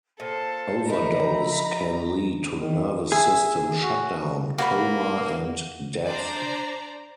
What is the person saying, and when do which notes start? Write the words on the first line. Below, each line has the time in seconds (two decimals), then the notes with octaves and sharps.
Overdose can lead to nervous system shutdown, coma and death.
0.20 A#2 A4 C5
0.90 F3 D#4 E4 A#4 E5 A#5 B5
2.57 D#3
3.12 G#4 E5
3.82 F#4
4.58 A#3 F#4 B5
6.08 D4 C5 D5 A#5